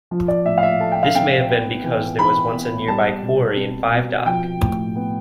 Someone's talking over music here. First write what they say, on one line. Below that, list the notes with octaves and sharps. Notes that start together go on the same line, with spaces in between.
This may have been because there was once a nearby quarry in Five Dock.
F3
D5
A2 E5
F5
E5
A3 A5
G5
F5
C4 G5
B3
E3
E3 B5
B3
G3 A5
B2
C4
B2
F3 G5
A2
B3